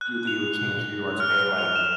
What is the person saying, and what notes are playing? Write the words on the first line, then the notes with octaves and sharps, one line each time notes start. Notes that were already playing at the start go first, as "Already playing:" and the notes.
Do you think it would change who you are today, like,
F#6
F7
F6
F7
E7